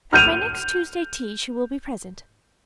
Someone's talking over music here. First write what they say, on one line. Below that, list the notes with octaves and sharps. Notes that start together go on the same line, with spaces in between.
At my next Tuesday tea she will be present.
F6 G6 D#7 F7